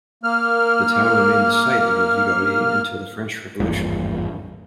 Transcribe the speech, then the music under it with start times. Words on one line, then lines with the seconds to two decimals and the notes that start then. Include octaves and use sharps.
The town remained the site of a "viguerie" until the French Revolution.
0.23 A#3 F6
3.60 G#1 E2 G2 A#2